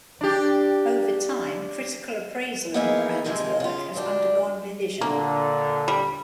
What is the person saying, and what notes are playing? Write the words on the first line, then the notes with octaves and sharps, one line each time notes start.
Over time, critical appraisal of Morand's work has undergone revision.
D4 G4
A#3 B3 D#4 E4 G#4 A#4
C3 D#3 F3 G#3 A#3 C4
C#3 F4
D2 D4 G4
A#2 D3 A#3
G3